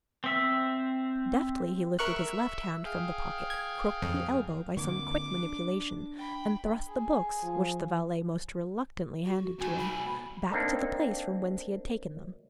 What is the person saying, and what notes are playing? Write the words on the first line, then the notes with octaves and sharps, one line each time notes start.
Deftly he lifted his left hand from the pocket, crooked the elbow by some quick manipulation, and thrust the books, which the valet most reluctantly handed to him, back to the place from whence he had taken them.
C4 E5
A#4 E5 C#6 F#6
G#4 F5 G5
G#6
F2
D3 A#3 C4 D6
D4
G5 B5
G#4
F3
F#4
B1 F#4 G#5
B5
A#3 C4 D4 D#4 A4